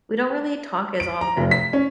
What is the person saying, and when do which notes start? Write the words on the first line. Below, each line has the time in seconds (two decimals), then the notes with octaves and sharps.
we don't really talk as often.
1.00 D7
1.21 A#5
1.37 F1
1.51 B6
1.73 C#4